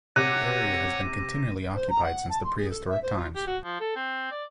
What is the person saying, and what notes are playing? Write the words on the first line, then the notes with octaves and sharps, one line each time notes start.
The area has been continually occupied since the prehistoric times.
C3 C#5 F#5 D6 F#6 A#6 D#7
C5
A#5
F#5
A5
C6
G#4
A4
E5
C5
F4
G4
F#4
F3
A4
C4
D5